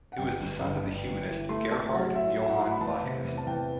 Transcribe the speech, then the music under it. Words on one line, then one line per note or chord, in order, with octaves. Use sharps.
He was the son of the humanist Gerhard Johann Vossius.
F#5
G1 G5
G1
G1
G1
G1
E3
A3 C6
A3 A5
F#3 F#5
A2 E5
A2
E5
F#5
A2
B5
E2 A5
C3
E2
A5
E2 G5